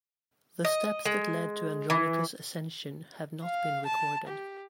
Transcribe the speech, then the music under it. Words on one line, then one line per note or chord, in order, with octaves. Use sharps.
The steps that led to Andronikos' ascension have not been recorded.
D#5
G#3
E3
F5
A5
G4